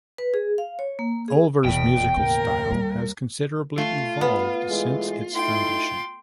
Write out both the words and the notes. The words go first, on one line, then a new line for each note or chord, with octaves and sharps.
Ulver’s musical style has considerably evolved since its foundation.
B4
G#4
F5
C#5
A#3
G#4
F1 E2 B2 G5
D#2 A2 C#3 A#4
G3
A3 F4
B3
A2 E3 G#3
A3 D#4 E4 G5 C6